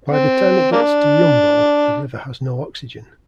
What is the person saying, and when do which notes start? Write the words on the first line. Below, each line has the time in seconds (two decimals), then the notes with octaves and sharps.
By the time it gets to Yumbo the river has no oxygen.
0.10 C4
0.72 A#3 D4